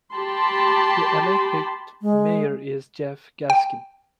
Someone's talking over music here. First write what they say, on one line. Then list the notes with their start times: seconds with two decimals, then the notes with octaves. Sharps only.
The elected mayor is Jeff Gaskin.
0.14 G4 A5 B5 C6
2.02 G#3
3.50 G5